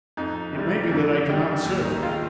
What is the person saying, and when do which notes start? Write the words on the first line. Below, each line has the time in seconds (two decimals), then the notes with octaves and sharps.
It may be that I can not serve you.
0.17 F2 D#4
0.54 C3 G3
0.91 F2
1.29 D#3 G3
1.65 D#2
1.85 D#4
2.02 D#3 G#3 F4